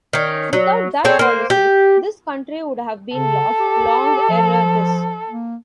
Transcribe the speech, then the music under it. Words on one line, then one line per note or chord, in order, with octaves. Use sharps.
Without that policy, this country would have been lost long ere this.
D#3 C#4
F#3
C4 G#4 A4 C#5
A#3 C5
G4
C#3 A4
G4
F3
A#3